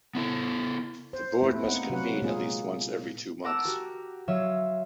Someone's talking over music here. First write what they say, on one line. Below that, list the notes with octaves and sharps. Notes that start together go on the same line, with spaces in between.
The board must convene at least once every two months.
B3 E4 A4
C5
A3 C4 E4 B4
A#3 B3 D#4 F#5
C3 F#3 F#4 B4 F#5
A#2 G#3 A#3 D#4 F4 G#4
A#4 F#5 A5 A#5 D6 E6
F#4 G4 A#4
F#3 F4 C#5 E5 E7